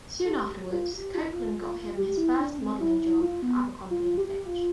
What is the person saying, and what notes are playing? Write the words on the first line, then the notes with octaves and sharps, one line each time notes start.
Soon afterwards, Copeland got him his first modeling job for Abercrombie and Fitch.
A4
G4
G4
F4
G4
F4
G4
E4
D4
C4
E4
E4
F4
B3
F4
G4
F4